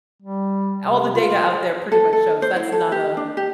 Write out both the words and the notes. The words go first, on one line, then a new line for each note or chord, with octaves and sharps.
all the data out there pretty much shows, that's not a
G3
C3
F4
A4
A4
C5
E4
A4
G4
D4
G4